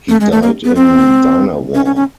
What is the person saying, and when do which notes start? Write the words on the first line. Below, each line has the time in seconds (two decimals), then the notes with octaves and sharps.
He died in Dinawar.
0.09 A3
0.21 G#3
0.32 A3
0.42 A#3
0.64 B3
0.76 C4
1.75 C#4
1.85 C#4
1.96 C#4